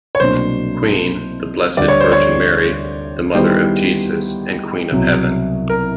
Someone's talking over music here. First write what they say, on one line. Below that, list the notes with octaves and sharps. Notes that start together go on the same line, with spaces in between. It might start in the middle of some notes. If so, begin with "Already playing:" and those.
Queen: the Blessed Virgin Mary, the Mother of Jesus and Queen of Heaven.
C#5
C2 B2 F#3 A#3 D4 C5
D2 D3 G3 D5
C#5
C5
C#5
D#3 G3 B3 E4 G#4 C5
C2 B2 F#3
A#4